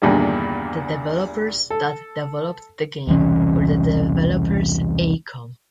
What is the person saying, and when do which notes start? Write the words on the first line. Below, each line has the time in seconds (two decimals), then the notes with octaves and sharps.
The developers that developed the game were the developers Aicom.
0.02 E2 G2 A#2 D3 D#3 G3
1.70 A4
3.07 E1 C2 E3 C#4